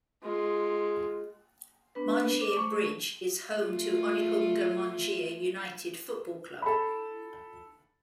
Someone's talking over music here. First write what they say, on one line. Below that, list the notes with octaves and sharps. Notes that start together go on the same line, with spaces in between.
Mangere Bridge is home to Onehunga-Mangere United football club.
G#3 F4
B3 D4 B4
C5 D6
A3 C#6
A3 F4
A4 B5